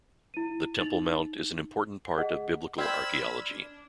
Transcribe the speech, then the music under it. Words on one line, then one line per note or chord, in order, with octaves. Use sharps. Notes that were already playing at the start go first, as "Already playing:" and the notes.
The Temple Mount is an important part of Biblical archaeology.
E4 D#7
D#4 A6 F7 F#7
G#4 D#5 F#5
C4 D5 B5 E6 F6 G#6
D4